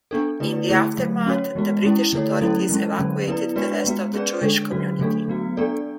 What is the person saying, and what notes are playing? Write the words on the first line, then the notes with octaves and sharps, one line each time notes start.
In the aftermath, the British authorities evacuated the rest of the Jewish community.
B3 D4 A4
D3 A3 E4 B4 D5
D3 A3 E4 G#4
D3 F#3 A3
C#4 F#4 C#5
E3 G#3 B3 F#4
G#3 C#4 E4
D3 A3 E4 A4 C#5
F#3 C#4 E4 A4
E3 G#3 C#4
D3 F#3 C#4
B3 E4 B4 D5
G#3 D4 F#4 B4 D5
G#3 B3 F#4
C#4 G#4 B4 D5
D3 G#3 D4 A4
D3 F#3 C#4 F#4
D3 F#3 A3 D4 A4
F#3 B3 F#4
B3 D4 A4 D5